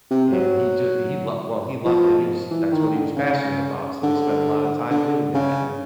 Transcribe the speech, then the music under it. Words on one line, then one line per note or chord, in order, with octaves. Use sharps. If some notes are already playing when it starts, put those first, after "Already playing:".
and he ju he well, he loved it, he was that's what he was passionate about, so he spent a lotta time doing that, and
C3
F#3
F3
E3
D#3
D3
C#3
D3
D3
C#3